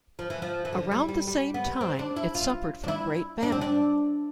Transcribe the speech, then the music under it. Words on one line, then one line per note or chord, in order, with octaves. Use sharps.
Around the same time it suffered from great famine.
F3
E3
F3
E3
D3
G3
G3
G3
B3
C4
D4
E4
F4
D4
E4
D4
C4
D4